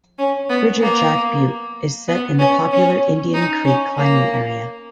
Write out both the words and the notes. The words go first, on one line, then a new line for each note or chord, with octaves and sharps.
Bridger Jack Butte is set in the popular Indian Creek climbing area.
C#4
B3
A#3
B3
C#4
C#4
D#4
C#4
A#3